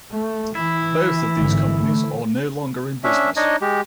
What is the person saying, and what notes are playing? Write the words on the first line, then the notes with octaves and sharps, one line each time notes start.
Both of these companies are no longer in business.
A3
E3 E4
G#1 D3
A3
C#4 D4 E5
D4 D#4 C#5 D#5
G#3 G4